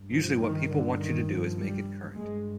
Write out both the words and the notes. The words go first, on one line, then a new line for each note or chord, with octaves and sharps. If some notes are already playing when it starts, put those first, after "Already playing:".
Usually what people want you to do is make it current.
Already playing: G2
F3
D#3
D3
D#3
F3
G3
G2 G#3